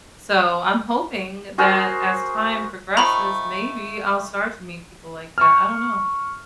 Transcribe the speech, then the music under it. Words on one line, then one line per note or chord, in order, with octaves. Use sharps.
So I'm hoping that as time progresses, maybe I'll start to meet people like that. I don't know.
F#4 G#4 A#4 C5
D#3 F3 A3 A#5 B5
C#6 F6